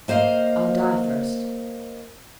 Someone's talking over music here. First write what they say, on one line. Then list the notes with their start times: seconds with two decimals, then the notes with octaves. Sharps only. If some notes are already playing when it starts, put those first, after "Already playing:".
"I'll die first."
0.08 A#3 C5 D#5 F5